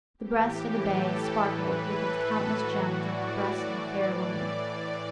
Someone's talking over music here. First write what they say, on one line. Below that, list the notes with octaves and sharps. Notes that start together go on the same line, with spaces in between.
The breast of the bay sparkled with its countless gems like the breast of a fair woman.
A2 E3 G4
A4
A2 E3 B4
A4
F#4
A2 E3
D5
A2 E3 D5
D5